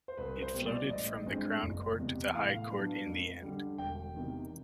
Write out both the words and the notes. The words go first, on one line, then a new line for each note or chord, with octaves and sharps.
It floated from the Crown Court to the High Court in the end.
C5
C2 B4
C5
B2 G3
D5
A1 D#5
G2 E3 G#3 C4
F#1
E2 C3
A2 F5
F#3 B3 D4
F2
D3 G3
E1 G5
E2 C3 D#3